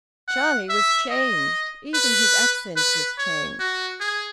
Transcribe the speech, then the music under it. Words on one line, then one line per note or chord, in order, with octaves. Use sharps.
Charlie was changed; even his accent was changed.
F#5
E5
D#5
B4
B4
C#5
F#4
G#4